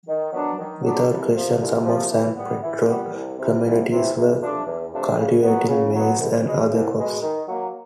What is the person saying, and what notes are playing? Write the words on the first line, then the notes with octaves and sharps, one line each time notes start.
Without question, some of San Pedro communities were cultivating maize and other crops.
D#3
F#3 B3 D4
D#3
F#3 B3 D4
C2
C3 F3
C2
C3 F3
E3
G3 B3
E3
G3 B3
C2
C3 E3
C2
C3 E3
E2
C3 F3 A3 D4
E2
C3 F3 A3 D4
C#3
F#3 B3
C#3
F#3 B3
C2
B2 G#3
C2
B2 G#3
D#3
F#3 A#3